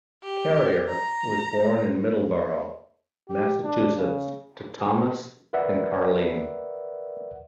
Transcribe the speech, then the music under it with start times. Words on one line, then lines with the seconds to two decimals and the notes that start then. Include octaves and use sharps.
Carrier was born in Middleborough, Massachusetts to Thomas and Carleen.
0.23 G4
0.89 A#5
3.29 G4
3.63 D4
3.96 C#3
5.53 A#4 B4 D5 E5 F#5